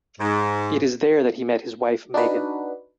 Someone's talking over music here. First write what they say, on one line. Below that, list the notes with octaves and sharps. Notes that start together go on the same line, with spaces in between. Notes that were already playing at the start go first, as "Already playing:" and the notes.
It is there that he met his wife Megan.
G#2
D4 D#4 F#4 B4